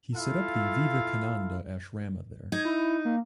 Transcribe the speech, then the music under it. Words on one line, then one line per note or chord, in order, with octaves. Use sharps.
He set up the Vivekananda Ashrama there.
E4 F4 A4 F5
D#4 G#6
E4
A#3